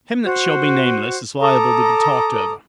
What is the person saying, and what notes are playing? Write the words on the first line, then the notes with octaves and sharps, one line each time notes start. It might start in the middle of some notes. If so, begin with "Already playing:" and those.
Him that shall be nameless is liable to be talked over.
F#4 C5
A4 A#5 D6 D#6